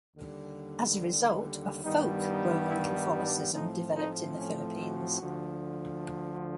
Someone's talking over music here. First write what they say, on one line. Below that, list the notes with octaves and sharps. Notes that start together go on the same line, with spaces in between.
As a result, a folk Roman Catholicism developed in the Philippines.
D#2 D3 G3
G2 D#3 G3 B3 D#4
D#4
E4
D#4
D4
A2 F3 A3 C4 D#4
D#4
C#4
F#4
D2 D3 F3